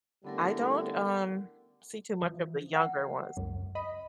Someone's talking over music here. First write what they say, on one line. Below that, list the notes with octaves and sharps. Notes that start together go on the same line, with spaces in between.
I don't, um, see too much of the younger ones.
D3 G3 A3 B3 C#4 E4 A4 A#4
E3 F3
F#5
C#2 F#2
D#5 B5